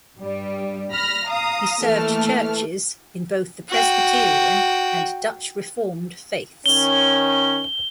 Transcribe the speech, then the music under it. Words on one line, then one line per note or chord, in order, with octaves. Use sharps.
He served churches in both the Presbyterian and Dutch Reformed faiths.
G2 G3
B5 F6 A#6
F5 A#5 D#6
E3 A3 A#3 A5 F6
F#4 G5
D#3 C#4 G7